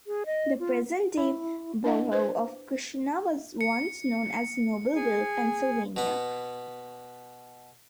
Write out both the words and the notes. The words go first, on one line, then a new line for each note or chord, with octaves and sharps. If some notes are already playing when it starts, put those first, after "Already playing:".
The present-day borough of Christiana was once known as Nobleville, Pennsylvania.
G#4
D#5
F4
E4
D4 E4 D#5 F#5
B4 C5
C#7
G#4 G#5
B2 B3